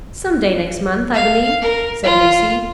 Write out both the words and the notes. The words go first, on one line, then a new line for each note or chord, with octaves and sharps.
"Some day next month, I believe," said Lucy.
F5
A#4
F4